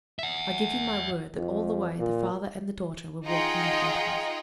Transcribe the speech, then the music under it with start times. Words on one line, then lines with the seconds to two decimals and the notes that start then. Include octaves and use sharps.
I give you my word that all the way, the father and the daughter were walking in front of us.
0.19 E5 F#5
1.36 F2
1.99 A#2
3.25 D#4 F4 G#4 D#5 F#5 G5